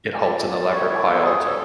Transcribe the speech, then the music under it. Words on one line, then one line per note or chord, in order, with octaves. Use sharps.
It holds an elaborate high altar.
E4 D5
B3
G3
G3 C#5
E4 C#5
B3 A4
G3 G#4
G3
A4